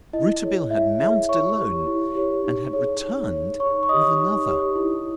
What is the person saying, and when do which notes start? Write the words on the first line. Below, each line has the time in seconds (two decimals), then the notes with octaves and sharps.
Rouletabille had mounted alone, and had returned with another.
0.13 E4 D#5
0.42 G#4 C#5
0.70 E4 E5
1.00 G#4 C#5 E5
1.29 E4 C#5 C#6
1.58 G4 C#5
1.87 E4
2.15 G4 C#5
2.44 D#4
2.73 G#4 C#5
3.02 D#4
3.32 G#4 C#5
3.60 D#4 C#5 C#6
3.83 C#6
3.89 G4 C#5 D#5 D#6
4.17 D#4
4.47 G4 C#5
4.76 E4